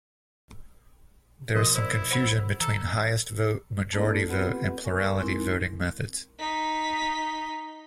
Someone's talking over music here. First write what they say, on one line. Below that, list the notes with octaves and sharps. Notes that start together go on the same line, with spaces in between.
There is some confusion between highest vote, majority vote and plurality voting methods.
B2 F3 B3 F#4 A#4 D#5
E4 C5 D5
C5 F#5 B5
E3 A4 A#5
A3 B3 D4 E4 A4 D5
B3 C4 F4 G4 B4 F#5
A#4 G#5 C#6
G#3 C4 D#4 E4 A#4
D#4 B6